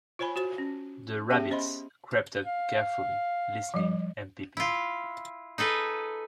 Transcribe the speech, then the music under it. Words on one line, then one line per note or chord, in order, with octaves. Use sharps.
The rabbits crept up carefully, listening and peeping.
F4 C5 C#5 G#5 B5
F#4 C5
C#4
B3 C#4 G4 G#4 E5
C#4 C5 D#5 B5 C6
F5
F3 G3 D#5
E4 F4
D#4 G#4 A4 B4